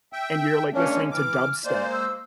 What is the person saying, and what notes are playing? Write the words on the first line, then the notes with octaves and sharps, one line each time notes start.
and you're, like, listening to dubstep
E5 G5
G#3 A#3 C#4 D4
E3 D6 F6
G#3 A#3 C5 D5
E6